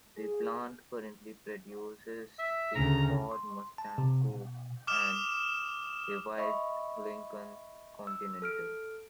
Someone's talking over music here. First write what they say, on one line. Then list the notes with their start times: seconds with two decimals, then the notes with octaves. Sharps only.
The plant currently produces the Ford Mustang coupe and the revived Lincoln Continental.
0.16 G#4
2.39 E5
2.75 D2 C#3 A#5
3.32 C6
3.78 A5
3.98 C3
4.29 B2
4.87 D6 D#6 F6 E7
6.38 D#5 E5 B5 C#6
8.07 E6
8.42 A4 F6 D7